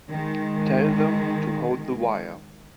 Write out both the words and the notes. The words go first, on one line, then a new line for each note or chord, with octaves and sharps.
Tell them to hold the wire.
D#3 G#3